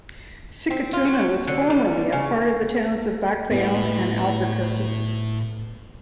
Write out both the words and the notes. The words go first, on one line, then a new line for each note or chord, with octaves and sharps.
Sikatuna was formerly a part of the towns of Baclayon and Alburquerque.
C4
F4
F#3
D3
G3
C#3
A2 B3